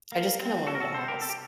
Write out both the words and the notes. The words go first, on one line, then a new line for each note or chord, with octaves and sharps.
...I just kinda wanted to ask
A#3
C4
F#4 A4
A#4
F#4 A4
A4 C5
G4 A#4
A4
G4